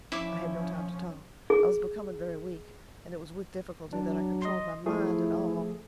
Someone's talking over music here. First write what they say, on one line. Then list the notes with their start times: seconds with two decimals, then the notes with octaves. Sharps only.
I had no time to talk, I was becoming very weak and it was with difficulty that I controlled my mind at all.
0.12 F3 C#4 E4 E5 D6
1.50 G#4
3.93 F#3 D4
4.42 D#5 C6
4.86 F3 A3 E4 G#4